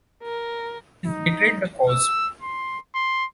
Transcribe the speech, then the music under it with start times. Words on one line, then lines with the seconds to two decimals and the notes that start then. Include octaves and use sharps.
He's betrayed the cause.
0.24 A#4
1.06 D#4
1.89 E6
2.42 C6
2.94 C6